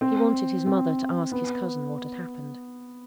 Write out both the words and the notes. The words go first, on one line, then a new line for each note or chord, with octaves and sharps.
He wanted his mother to ask his cousin what had happened.
C4
C4
B3